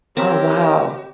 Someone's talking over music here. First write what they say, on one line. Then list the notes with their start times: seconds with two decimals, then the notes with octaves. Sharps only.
Oh, wow.
0.17 C4 G4 A#4 C#5 E5